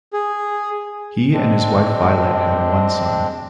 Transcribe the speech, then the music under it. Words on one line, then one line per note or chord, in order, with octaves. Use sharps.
He and his wife Violet had one son.
G#4
G#3 C4 D4